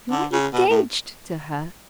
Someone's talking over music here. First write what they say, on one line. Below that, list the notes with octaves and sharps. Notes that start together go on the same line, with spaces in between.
"You are engaged to her!"
D3
C#3
B2
A2